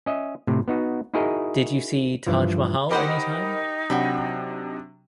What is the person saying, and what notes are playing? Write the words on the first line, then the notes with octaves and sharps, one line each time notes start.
Did you see Taj Mahal anytime?
C#4 D#5 E5
A2 C3
B3 D#4 F#4
D#4 E4 F#4 G#4 A#4 D#5
G2 E3 F3
D#4 G4 A#4 C5 D#5 F#5 B5
C3 F#3 D4 F#4 G5 B5